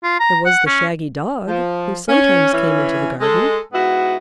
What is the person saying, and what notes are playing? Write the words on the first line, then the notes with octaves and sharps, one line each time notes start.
There was the shaggy Dog who sometimes came into the garden.
F4
A#5
F#5
C#4
F3
C#4
E3 C#4
G#3 A4
G#2 B3 E4 F#4